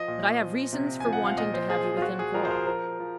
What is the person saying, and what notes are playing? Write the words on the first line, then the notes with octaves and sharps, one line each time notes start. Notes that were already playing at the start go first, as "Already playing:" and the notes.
But I have reasons for wanting to have you within call.
Already playing: F3 D#5
A#2
F3
C3
G#5
F3
F#5
F5
A#2 D#5
C5
F3 G#4
F4
F3 F#4
G#4
F3 A#4
C5
A#4
F3 A#4
F3